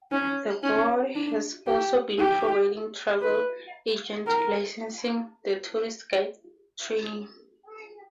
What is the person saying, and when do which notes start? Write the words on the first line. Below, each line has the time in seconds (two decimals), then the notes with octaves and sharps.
The board has also been providing travel agent licensing and tourist guide training.
0.12 C#4
0.63 C#4
1.15 D4
1.67 G4
2.19 G4
3.22 B4
4.27 A#4